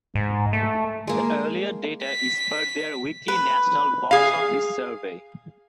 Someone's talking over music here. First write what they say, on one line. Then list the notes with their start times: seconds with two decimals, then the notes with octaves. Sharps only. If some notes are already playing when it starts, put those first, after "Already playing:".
The earlier data is per their weekly National Boxoffice Survey.
0.15 G#2
0.53 A3
1.07 G#3 A#3
2.05 B6
3.28 B4
4.11 G#4 F5